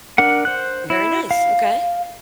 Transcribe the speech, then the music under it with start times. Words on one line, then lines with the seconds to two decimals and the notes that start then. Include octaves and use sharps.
Very nice, okay.
0.18 D4 A#4 F#5
0.45 C5 F#6
0.90 E4
1.31 F5